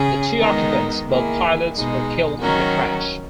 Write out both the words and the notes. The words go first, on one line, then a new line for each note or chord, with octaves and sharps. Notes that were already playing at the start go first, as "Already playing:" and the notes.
The two occupants, both pilots, were killed in the crash.
Already playing: C#3 C#4 G#4
D#3 G#3 B3 D#4 A#4
D#3 A#3 E4 G#4
B2 G#3 D#4 G#4
D#3 F#3 C#4 F#4 A#4